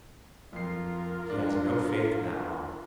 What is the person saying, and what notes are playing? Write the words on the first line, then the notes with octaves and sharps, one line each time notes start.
He has no faith in that rot.
F2 F4 A#4 C7
D4